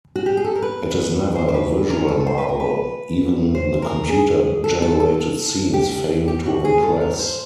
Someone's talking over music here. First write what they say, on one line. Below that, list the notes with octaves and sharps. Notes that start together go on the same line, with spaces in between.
It is never a visual marvel - even the computer-generated scenes fail to impress.
F#4
G4
G#4
A4
A#4
B4
C5
C5
B4
B4
A#4
A4
C5
B4
A#4
B4
C5
A#4
G#4
A4
A4
A4
G4
G4
F#4
G#4
A4
A#4
C5